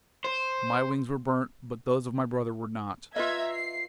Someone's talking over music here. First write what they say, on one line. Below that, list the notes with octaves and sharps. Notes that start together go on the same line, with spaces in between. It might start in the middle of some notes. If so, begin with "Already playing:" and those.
My wings were burnt, but those of my brother were not....
C5
F4 B4 D#5 E5 A#5 G#6
C7